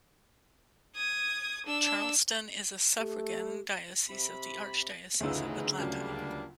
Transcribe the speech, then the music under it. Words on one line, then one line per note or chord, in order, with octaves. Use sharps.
Charleston is a suffragan diocese of the Archdiocese of Atlanta.
D#6 G#6
D4 E6
A3 G4
C3 B5
G1 D2 C#3 E3 D#4 F4 E6
C#2 F#3 G3 A#3 D4